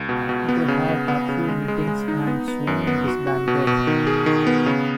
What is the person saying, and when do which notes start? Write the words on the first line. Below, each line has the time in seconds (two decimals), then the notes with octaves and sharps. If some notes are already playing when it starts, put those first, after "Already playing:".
They had a few meetings and soon disbanded.
Already playing: C#2
0.09 B2
0.29 B2
0.49 B3
0.68 C#3
0.89 B3
1.08 B3
1.29 C#3
1.48 G#3
1.68 G#3
1.88 G#3
2.08 D#4
2.27 B3
2.48 B3
2.67 F#2
2.87 B3
3.08 F#4
3.27 F#4
3.48 B2
3.67 B2
3.87 D#3
4.07 G#4
4.26 D#3
4.47 B3
4.66 C#3